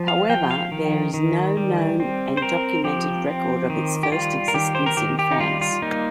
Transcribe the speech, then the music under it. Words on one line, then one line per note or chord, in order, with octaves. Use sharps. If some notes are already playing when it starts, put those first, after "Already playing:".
However, there is no known and documented record of its first existence in France.
Already playing: F3
F5
F3 G5
F5
D#3
D#3
G3
C4
C5
C4 A#4
F3 G4
C4
D#3
G4
G3 F4
A#4
D#3 G4
C5
A#4
D#3 G4
G4
D#4
G3 F4
F4
A#3 D#4